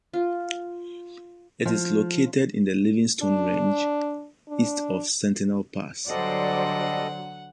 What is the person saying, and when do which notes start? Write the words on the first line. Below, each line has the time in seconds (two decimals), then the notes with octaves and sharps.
It is located in the Livingstone Range, east of "Sentinel Pass".
0.13 F4
1.65 F3
3.22 D4
4.48 D4
6.09 D3 F#3 G3 A4 C5 D5 D#5 F#5